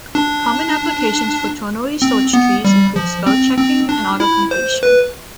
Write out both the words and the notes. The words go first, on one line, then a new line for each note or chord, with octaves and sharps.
Common applications for ternary search trees include spell-checking and auto-completion.
D4
C4
B3
G3
F3
C4
C4
D4
E4
C5
B4